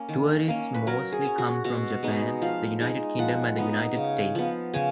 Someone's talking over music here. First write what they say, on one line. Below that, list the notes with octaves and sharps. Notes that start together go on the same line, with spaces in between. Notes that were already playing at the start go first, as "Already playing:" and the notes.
Tourists mostly come from Japan, the United Kingdom and the United States.
Already playing: A#3 C#4
D#3
A#3 C#4
B4
F#3 A#4
G#4
C#4
F#4
B2 F#4
G#3 B3 D#4
F3 F5
G#3 D#4
F3 F#5
B3 D#4
C#3
F3 B3
C#3 G#5